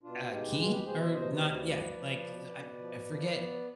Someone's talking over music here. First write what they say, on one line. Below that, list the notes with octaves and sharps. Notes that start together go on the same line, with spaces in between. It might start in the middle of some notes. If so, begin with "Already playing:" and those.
uh, Key or not yeah, like, I I forget.
B2 D4 F4
G#3 D#4 G4
B4
B2 F4 G#4
G4 B4
B2 G#4 C5
C5 D#5
C3 C5 D#5
B4 D5
D2 D#5
B4 D5
F3 B4 D5
F3
B2
B2
F3
F3
B3